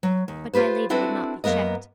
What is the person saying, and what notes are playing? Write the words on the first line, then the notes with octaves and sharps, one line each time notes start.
But my Lady would not be checked.
F#3
D#2
F4 G4 B4 C5
C4 D4 E4 F#4 A4 B4
F#2 A#3 B3 A#4 D#5